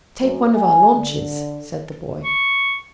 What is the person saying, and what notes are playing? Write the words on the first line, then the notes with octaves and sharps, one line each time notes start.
"Take one of our launches," said the boy.
F#2
G#5
D3
C#6